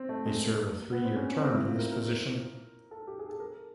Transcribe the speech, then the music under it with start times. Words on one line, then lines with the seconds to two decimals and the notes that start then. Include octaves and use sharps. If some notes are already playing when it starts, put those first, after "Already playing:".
They serve a three-year term in this position.
Already playing: C4
0.09 A3
0.26 G#3
0.42 A#3
0.92 B3
1.05 C4
1.16 C#4
1.29 C#4
1.35 B3
1.41 C4
1.54 E4
1.66 F4
1.79 A#4
1.92 A#4
2.91 A4
3.07 G4
3.19 G#4
3.30 A4
3.40 A#4